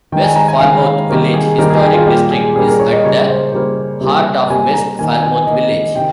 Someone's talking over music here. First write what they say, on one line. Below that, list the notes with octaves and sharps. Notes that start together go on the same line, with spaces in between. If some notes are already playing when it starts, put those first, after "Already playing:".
West Falmouth Village Historic District is at the heart of West Falmouth Village.
D#3 G#3 G5
G#5
A#5
G#5
D#3 G#3 F5
C3 D#3 G3 A#3
G#4
C3 D#3 G3 A#3 A#4
G#4
G4
G#4
F4
A#2 G3 A#3 G4
G#4
A#2 G3 A#3 G#4
A#4
C#5
D#5
C#3 G3 A#3 C#5
C5
C#3 G3 A#3 C5
C3 G3 A#3
C3 G3 A#3 G#5
A#5
D#3 A#3 G#5
G#5
D#3 A#3 D#5
C3 D#3 G5